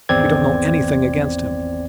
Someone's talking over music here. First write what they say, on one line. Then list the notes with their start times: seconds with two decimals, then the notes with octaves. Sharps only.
"We don't know anything against him!"
0.09 G#1 E2 C4 D5 G#6